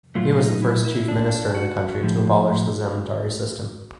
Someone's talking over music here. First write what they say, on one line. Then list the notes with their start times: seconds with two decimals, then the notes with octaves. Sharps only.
He was the first chief minister in the country to abolish the zamindari system.
0.15 A#2 F#3 A3 F4
0.39 D#4
0.62 E4
0.85 E4
1.08 D4
1.55 F#4
2.01 A2 F3 A3